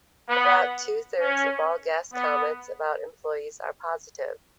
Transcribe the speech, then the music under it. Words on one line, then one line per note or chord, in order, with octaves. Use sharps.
About two thirds of all guest comments about employees are positive.
B3
C#4
B3